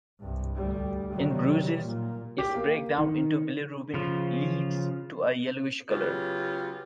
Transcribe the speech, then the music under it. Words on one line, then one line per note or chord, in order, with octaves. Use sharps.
In bruises, its breakdown into bilirubin leads to a yellowish color.
C2 G2
D2 G3
C3 D#3 F#3 G3
A#2
G4
A#3
D#3
C#3 F3 F4
C#3 F#3 B3 F4 G4